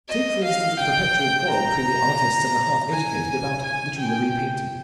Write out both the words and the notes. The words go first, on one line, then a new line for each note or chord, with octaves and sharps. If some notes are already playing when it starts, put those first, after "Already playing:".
Take, for instance, the perpetual quarrel between the artists and the half-educated about literary painting.
D#5
F5
G5
A#5
G#5
G#5
G5